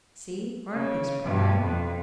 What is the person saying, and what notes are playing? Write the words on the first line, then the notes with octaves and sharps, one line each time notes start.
"See--aren't these prime!"
C#3
G2 B2
F2